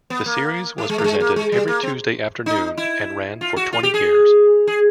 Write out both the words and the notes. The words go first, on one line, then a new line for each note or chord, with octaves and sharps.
The series was presented every Tuesday afternoon and ran for twenty years.
B3
A#3
A3
G#3
A3
G#3
A#3
G#3
G3
A#3
C4
D#4
E4
F4
F#4
F4
G4
G#4
G#4